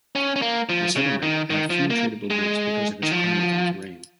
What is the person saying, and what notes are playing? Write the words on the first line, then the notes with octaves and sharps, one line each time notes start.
The settlement had few tradable goods because of its climate and terrain.
C#4
C#4
A#3
F3
C#3
D#3
D#3
F3
A#3
G#3
D#3
F3